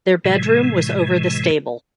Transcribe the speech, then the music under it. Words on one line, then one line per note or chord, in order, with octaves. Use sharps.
Their bedroom was over the stable.
A2 C3 E3 G#3